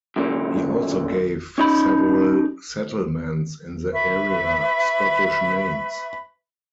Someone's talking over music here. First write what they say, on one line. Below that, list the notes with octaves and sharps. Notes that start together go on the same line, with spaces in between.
He also gave several settlements in the area Scottish names.
F#2 A#2 D3
C#4 D#4 B5
B4 E5 B5 C#6